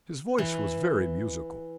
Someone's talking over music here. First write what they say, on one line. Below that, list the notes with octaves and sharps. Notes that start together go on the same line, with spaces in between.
His voice was very musical.
E3